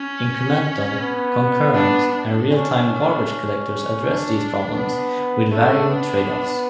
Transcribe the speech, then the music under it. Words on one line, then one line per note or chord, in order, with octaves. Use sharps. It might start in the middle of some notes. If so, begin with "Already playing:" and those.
Incremental, concurrent, and real-time garbage collectors address these problems, with varying trade-offs.
Already playing: C#4
B3
D4
D4
C#4
D4
B3
A3 D4
B3